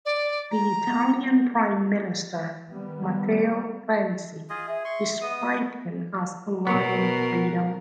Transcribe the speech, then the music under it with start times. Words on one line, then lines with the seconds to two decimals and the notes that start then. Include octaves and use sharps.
The Italian Prime Minister Matteo Renzi described him as a "lion of freedom".
0.05 D5
0.51 A#5
0.87 B3
2.69 D#3 G3 B3
4.50 F4 G#4 D#5
4.68 G#4 E5
4.85 C6 C#6
5.21 B3 D#5 D#6
6.67 B2 B3 A#4 C#5